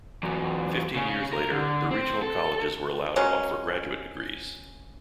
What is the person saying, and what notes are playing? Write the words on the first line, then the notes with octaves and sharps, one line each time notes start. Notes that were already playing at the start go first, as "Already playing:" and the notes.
Fifteen years later, the regional colleges were allowed to offer graduate degrees.
E2 F#3
C#3 C#4
A#4
D3
C4
A4
F#3 G#3 A#3 C#4